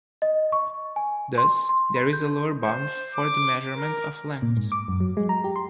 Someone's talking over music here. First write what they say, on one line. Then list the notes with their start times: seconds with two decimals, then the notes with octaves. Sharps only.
Thus there is a lower bound for the measurement of length.
0.22 D#5
0.52 C#6
0.96 G#5
1.38 C6
1.69 C6
1.96 B5
2.13 G6
2.63 C5
3.15 D6
3.75 A#4
4.42 A#2
4.57 G#2
4.72 D6
4.88 F#2
5.00 F#3
5.17 G#3
5.29 A#5
5.44 G4
5.56 C6